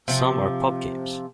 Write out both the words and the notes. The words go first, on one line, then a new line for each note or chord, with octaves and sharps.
Some are pub games.
C3 F3